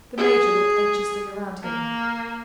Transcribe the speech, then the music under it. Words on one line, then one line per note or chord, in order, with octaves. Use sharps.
The major looked anxiously around him.
G#4
A#3